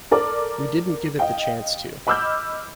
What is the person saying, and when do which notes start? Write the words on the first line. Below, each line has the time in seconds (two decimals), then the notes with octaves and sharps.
We didn't give it the chance to.
0.11 A4 A#4 D5 D6 F6
1.19 D#5 F5 G5
2.07 D#5 B5 D6 E6 F6 G6